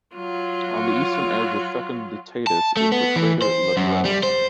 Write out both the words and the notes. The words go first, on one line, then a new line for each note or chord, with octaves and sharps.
On the eastern edge of Fecunditatis is the crater Langrenus.
F#3 F4
A5
A3
B3
E3
C5
F#2
G3
C5